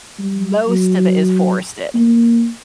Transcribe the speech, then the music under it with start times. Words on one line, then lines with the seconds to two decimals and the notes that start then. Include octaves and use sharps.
most of it is forested,
0.19 G3
0.68 F#3
1.95 A#3